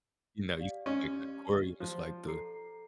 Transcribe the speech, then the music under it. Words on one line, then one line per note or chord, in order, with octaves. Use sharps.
you know, you said, like, the aquarium, it's, like, the
G4 D5 F5
C#4
F3
A4 A#5 C7